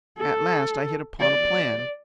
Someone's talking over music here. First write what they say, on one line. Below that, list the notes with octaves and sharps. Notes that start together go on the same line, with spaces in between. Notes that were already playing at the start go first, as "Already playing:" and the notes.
At last I hit upon a plan.
A4
D5